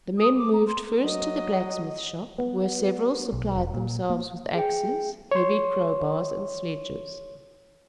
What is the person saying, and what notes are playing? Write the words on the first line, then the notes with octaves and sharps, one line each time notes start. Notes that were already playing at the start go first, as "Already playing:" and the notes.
The men moved first to the blacksmith shop, where several supplied themselves with axes, heavy crow-bars and sledges.
D#6
D6
A#5
C6
F#3 D#5
B3
B1
E1
A#2
A#3
G#4 G5
C#5 C6